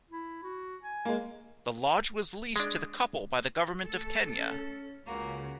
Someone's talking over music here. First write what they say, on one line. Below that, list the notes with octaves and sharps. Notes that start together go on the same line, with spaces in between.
The lodge was leased to the couple by the government of Kenya.
E4
F#4
G#5
G#3 A#3
G#3 D4
A3 A4
C#4
C#2 C#3 A#3 F#4